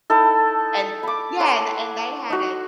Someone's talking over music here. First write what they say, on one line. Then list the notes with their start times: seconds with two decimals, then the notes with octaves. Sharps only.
and yeah, and and they had a
0.10 D#4 E4 A4
1.03 B5 D6
1.40 C#5 F#5 C6 D6
2.30 D#4 F#4